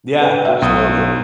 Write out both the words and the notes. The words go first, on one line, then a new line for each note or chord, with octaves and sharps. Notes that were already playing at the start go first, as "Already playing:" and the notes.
Yeah, absolutely.
B4 G5
F#4 E5
B1 D#6